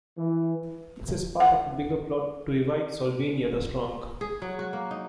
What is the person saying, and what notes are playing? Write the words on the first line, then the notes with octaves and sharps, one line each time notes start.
This is part of a bigger plot to revive Solvania the strong.
E3
F#5
G#4
F#3
F#4
A#3
D#4